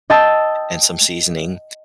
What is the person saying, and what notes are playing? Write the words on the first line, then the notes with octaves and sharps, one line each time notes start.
and some seasoning,
D#5 G5 A5 E6